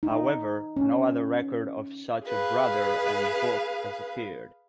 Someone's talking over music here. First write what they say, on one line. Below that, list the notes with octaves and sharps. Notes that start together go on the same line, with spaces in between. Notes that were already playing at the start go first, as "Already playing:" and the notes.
However, no other record of such a brother and book has appeared.
D#4
C#4
G#4 B4 F5